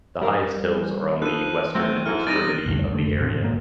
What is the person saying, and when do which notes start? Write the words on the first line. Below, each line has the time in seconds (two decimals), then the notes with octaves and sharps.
The highest hills are on the western extremity of the area.
0.22 G3 A#4 F5
1.22 F3 D#4 A4 B4 F#6 D#7
1.75 F#3 A3 C4 F#4
2.06 G#2 E4 A4 F6
2.27 C3 G3 D#4 A6 A#6 D#7
2.66 F1 D2 G2
2.90 F1 D3 A3
3.20 E2 A2 C#3 C4
3.40 G1 G#2 A#3